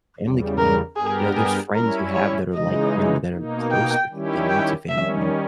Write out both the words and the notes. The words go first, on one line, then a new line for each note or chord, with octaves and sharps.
family can be You know, there's friends you have that are like family, that are closer than you to family mem
E2 C#3 G3
A#4
G2 G3 B3 G4 G#4 A#4
G#4
G3 C#4 E4 A#4
C#5
C#3 E3 G#3 D#4 D#5
B2 A#3 D#4
G5
D#3 G3 C#4 E4 G4
G5
D#3 G3 C#4 E5